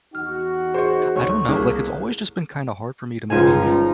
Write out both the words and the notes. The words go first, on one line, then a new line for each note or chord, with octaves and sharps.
I don't know. Like, it's always, just, been, kinda, hard for me to, maybe,
E2 D#4 F#4 F6
G#4 C5 D#5 C#6
D2 C#5 C#6
C2 A3 A#3 G#4
G1 C#2 G#2 C#3 F3 D#4 F4 G#5